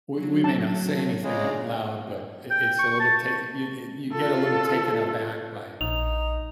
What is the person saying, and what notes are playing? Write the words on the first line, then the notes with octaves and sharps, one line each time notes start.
we we may not say anything out loud, but, i it's a little ta you e you get a little taken aback by
F#3
A5
C#3 G#3 F4 D5 A#5
G5
C#6
A5
F4 A4
A#1 D#4 F7